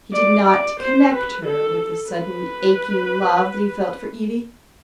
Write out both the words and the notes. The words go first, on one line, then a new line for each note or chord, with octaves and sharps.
He did not connect her with the sudden aching love that he felt for Evie.
D5
D5
C5
B4
A4
B4